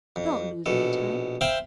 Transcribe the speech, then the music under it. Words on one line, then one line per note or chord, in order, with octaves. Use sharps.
Don't lose any time.
F2
A#1 B2 A4
C5 E5 F5 G5 B5 C6